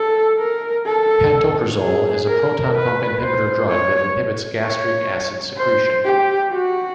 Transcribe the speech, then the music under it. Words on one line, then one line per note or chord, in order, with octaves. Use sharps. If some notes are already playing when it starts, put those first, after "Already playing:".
Pantoprazole is a proton pump inhibitor drug that inhibits gastric acid secretion.
Already playing: A4
A#4
A4
G#4
A#4
B4
C5
C#5
C#5
C5
G4
F#4